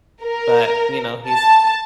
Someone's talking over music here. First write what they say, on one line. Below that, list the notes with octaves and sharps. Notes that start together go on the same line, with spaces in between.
But you know, he's
A#4
A5